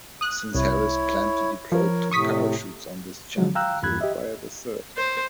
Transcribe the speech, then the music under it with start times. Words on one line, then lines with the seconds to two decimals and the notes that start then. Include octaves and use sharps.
Since Harris planned to deploy two parachutes on this jump, he required a third.
0.21 D#6 F#6
0.55 C2 E4 C#5
1.72 F3 A#4 C#5
2.11 A2 C3 C#6 D#6 B6
3.37 D3 F3 F#3 G#3
3.55 F5 G5 A#5 E6 F#6
3.83 E2 G2 E3 B5 F#6 G#6
4.01 G4 D#5 E5
4.96 C5